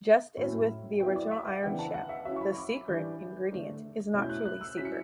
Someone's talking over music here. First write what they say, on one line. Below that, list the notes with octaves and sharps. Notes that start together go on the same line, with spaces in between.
Just as with the original "Iron Chef", the "secret" ingredient is not truly secret.
A2 F#3 A3 C#4 E4
F#3 B3 E4 G5
D5
E5
F#5
C#3 E3 B3 D4 G5
A5
F#5
E5
F#3 C#4 E4 E5
C#6
B5
D6
E3 G3 D4 G6
D3 A3 D4
B2 A3 C#4 E4
G6
F#6
F#6
E6
F#3 C#4 E4 B6
C#7